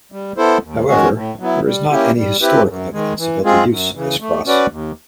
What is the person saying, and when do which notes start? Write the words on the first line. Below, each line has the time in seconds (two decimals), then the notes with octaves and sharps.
However, there is not any historical evidence about the use of this cross.
0.12 G3
0.37 B3 E4 A4 C5
0.63 D#2
0.88 D#3 G#3 C#4 F#4
1.14 A2
1.39 F#3 B3 E4
1.65 G3
1.91 A#3 C#4 E4 G4
2.16 G3
2.42 C4 E4 G4 B4
2.68 F#2
2.93 D#3 G#3
3.18 E3
3.44 G#3 C4 F4 G#4
3.70 F#2
3.95 C#3 E3
4.21 A3
4.46 C#4 F#4 B4 D5
4.71 D#2